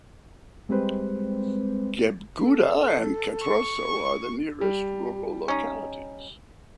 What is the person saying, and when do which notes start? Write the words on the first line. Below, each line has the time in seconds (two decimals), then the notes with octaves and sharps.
Gebguda and Katroso are the nearest rural localities.
0.69 G3 G#3 C4 G4 B4 C5
2.43 A4
3.42 C#6
4.61 G3
5.48 C#4 D#4